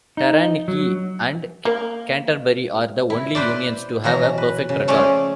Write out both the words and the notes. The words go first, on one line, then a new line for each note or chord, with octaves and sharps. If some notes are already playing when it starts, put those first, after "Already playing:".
Taranaki and Canterbury are the only unions to have a perfect record.
D#4
F#3
A#3
E4
B4 C5 D5
B2 E3 F#3 A#5
B4
C#3
F3 A3 C#4 G#4 D5